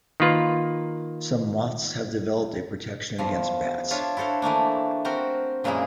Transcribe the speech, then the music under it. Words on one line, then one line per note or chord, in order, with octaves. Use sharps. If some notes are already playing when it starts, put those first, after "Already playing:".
Some moths have developed a protection against bats.
D#3 A#3 F4 B4
E2 F3
D4 F4 C#5 E5
E4 F#4 A4 C5 F5
E3 A3 A#3 D4
C4 F#4 G4 A#4 C5
F#2 A#2 G#3 A#3 E4 G#4